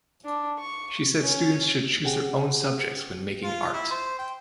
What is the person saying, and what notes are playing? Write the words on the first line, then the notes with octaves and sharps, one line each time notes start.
She said students should choose their own subjects when making art.
D4
C#6
C#4
C4 C#4 G4 G#4 F#5 G5
F4
E4
C5
G5